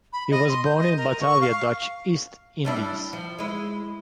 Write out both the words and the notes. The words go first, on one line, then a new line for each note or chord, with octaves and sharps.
He was born in Batavia, Dutch East Indies.
B5
D#5
C6
G6
D#5
A#4
C#6
F5
G3 D4 E4
F3
G#3 E4